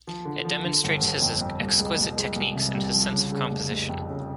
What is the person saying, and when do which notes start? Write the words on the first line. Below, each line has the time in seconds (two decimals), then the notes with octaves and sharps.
It demonstrates his exquisite techniques, and his sense of composition.
0.07 F3
0.25 D3
0.45 F3
0.64 D3
0.84 G1
1.02 G1
1.21 F2
1.41 F2
1.60 C2
1.79 G#3
1.98 C2
2.17 G#3
2.36 C2
2.55 C3
2.74 C2
2.93 F3
3.12 C#3
3.32 C#3
3.50 F1
3.70 F1
3.89 F2
4.08 C#3